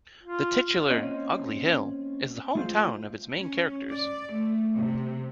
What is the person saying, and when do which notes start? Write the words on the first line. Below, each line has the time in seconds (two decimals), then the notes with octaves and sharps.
The titular "Ugly Hill" is the home town of its main characters.
0.23 F4
0.90 A#3 C4 C#4 C5 C#5 D#5
2.55 G#3 A3 F4 C5 F5
3.39 C#4
3.90 D5
4.35 A3
4.77 C3